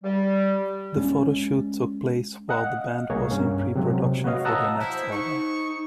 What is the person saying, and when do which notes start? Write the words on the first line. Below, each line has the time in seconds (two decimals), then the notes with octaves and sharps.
The photoshoot took place while the band was in preproduction for their next album.
0.03 G3
0.96 G#3 C#4
2.49 D#5 F5 F#5
3.10 C2 A#3 G#4 C#5
3.31 G2 C#4
3.76 C3 F#3 G#3
4.24 F#4 B4 C#5 D#5 F5
4.45 F#5 A5 A#5 D#6 E6
4.80 E4 C5
5.12 D#4 C#6